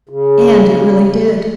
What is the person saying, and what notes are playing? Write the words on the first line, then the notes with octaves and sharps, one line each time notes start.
And it really did.
C#3